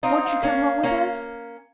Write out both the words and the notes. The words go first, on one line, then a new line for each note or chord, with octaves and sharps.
"Won't you come home with us?"
C4 D#4 F5
F#5
F5
A#3 C#4
A#3 C#4